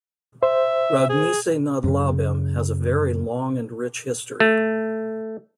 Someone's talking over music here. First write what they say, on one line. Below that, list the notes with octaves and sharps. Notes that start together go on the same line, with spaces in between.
Roudnice nad Labem has a very long and rich history.
C5 E5
G#4
F#2 C#3
A3